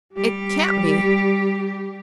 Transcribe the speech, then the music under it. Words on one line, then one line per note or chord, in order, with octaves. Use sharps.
"It can't be."
G3 G4